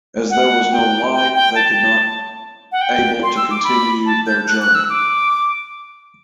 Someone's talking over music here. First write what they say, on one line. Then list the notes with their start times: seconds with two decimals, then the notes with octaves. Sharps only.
As there was no light they could not able to continue their journey.
0.30 F#5
0.72 G5
1.14 G5
1.35 G5
1.55 A5
2.72 F#5
2.81 G5
3.23 C6
3.37 E6
3.51 D6
3.64 B5
4.06 A5
4.26 G6
4.48 F#6
4.62 F#6
4.75 E6
4.90 D6